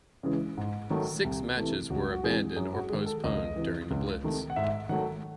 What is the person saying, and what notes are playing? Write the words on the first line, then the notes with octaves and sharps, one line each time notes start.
Six matches were abandoned or postponed during the Blitz.
C#3 E3 G#3
G#2
D#3 F#3 A3
C2
C3 E3 A3
C#2 F#4
F#4
C3 E3 G#3 G#4
F#2 G#4
F#4
D#3 G#3 G#4
A4
C#2 D#5
C3 E3
C#2
C3 D#3 A3
F#5
G#2 E5
D#3 F#3 A3 F#5